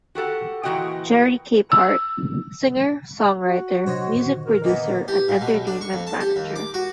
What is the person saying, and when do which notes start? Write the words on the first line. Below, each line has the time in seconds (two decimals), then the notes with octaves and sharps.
Jerry Capehart - Singer, Songwriter, Music Producer and Entertainment Manager.
0.15 F#4 G4 A4 F#5
0.63 A#2 E3 F3 F#4 D#5 G5
1.72 E6
3.44 F#4
3.86 C3 F#3 D4 C5 C#5 D#5
4.12 A#2 D3 D#3
4.45 A#4
4.64 E3 A#3 B3 D#5
5.08 G4
5.28 A#2
5.41 B2
5.54 B1
5.67 D4
5.81 C#6
5.93 F2
6.07 A5
6.21 G4
6.36 D#2
6.56 D6
6.74 F#4